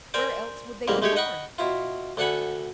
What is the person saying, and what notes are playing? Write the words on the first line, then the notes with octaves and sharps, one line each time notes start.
"Where else would they be born?"
A#4 C5 D5 G5 G#5
A1 G#2 G3 A#3 A#4
G#3 A3 G4 G#4 C#5 G5
D#5 F#5 G5 B5 C#6 D#6
B2 E4 F4
D2 D4 A4 F#5 G#5 B5